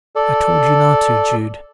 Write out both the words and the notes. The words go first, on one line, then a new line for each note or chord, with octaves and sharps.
"I told you not to, Jude!"
A4 D5